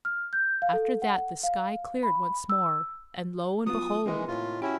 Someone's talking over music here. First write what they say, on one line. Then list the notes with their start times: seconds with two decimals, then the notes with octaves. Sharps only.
After that the sky cleared once more, and, lo and behold!
0.05 F6
0.33 G6
0.62 F5
0.73 A4
1.02 F#5
1.43 F5
2.03 B5
2.50 E6
3.66 F#3 B3 F4 D#6
4.06 C3 E3 G#3 A#3 D#4
4.28 A2 F4
4.62 C#4 E4 F#4 G4